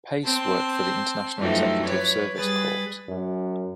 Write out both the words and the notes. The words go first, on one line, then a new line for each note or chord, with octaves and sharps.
Pace worked for the International Executive Service Corps.
C4 A5 C6
F#2 E3 F3 G3 A3 D#4
B4 C#5 D5
G3 G#4 B4 A6
F#2